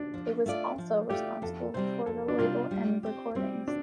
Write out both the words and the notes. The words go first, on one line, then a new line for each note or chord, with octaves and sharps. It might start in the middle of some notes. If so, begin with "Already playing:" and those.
It was also responsible for the label End Recordings.
Already playing: D4
F3
A3 F4 D5
F3
A3 F4 G4 D5
F2 A4
C3 G3 C4 C5
F2 A4
D4
C3 G3 C4 F4
G3
C4 G4
G3 C4
D4